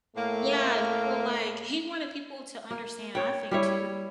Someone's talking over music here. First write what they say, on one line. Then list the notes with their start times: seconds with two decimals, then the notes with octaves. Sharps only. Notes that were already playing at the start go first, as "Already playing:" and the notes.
yeah, so, like, he wanted people to understand, I think too,
0.15 A2 A3 A#3
2.71 A#3
3.15 C#5 G5
3.51 G3 E4 C#5